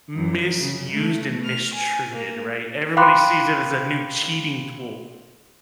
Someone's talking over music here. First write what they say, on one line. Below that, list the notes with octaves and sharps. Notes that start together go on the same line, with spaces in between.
misused and mistreated, right? Everybody sees it as a new cheating tool.
F#2
C#3
A3
F6
G#5
A#3
F5 G5 B5 C6 D6 F#6